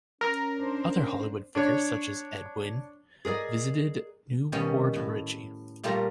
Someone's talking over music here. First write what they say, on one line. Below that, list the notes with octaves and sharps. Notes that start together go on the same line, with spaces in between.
Other Hollywood figures such as Ed Wynn visited New Port Richey.
C#4 A#4
D4 C5
D4 C#5
G#4 A#4 D5 D#5
B2 D#3 G3 B3 C#4
A2
A#2 G3 A3 F4 A#4